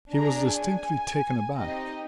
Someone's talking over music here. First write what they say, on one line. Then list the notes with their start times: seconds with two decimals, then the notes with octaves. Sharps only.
He was distinctly taken aback.
0.14 D4 G#4 A#5
0.51 G#5
1.58 C4 D#4 G4 D#5